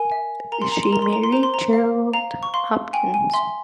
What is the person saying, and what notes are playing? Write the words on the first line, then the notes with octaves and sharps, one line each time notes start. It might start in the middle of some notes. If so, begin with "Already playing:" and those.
She married Gerard Hopkins.
Already playing: A#4 G#5
E5
A#4 A#5
C6
A#5
C6
A#4 A#5
C6
A#5
C6
C5 A#5
C6
A#5
F5
F5 A#5
C#6
F5 C6
G5 G#5
G#5
E5 C6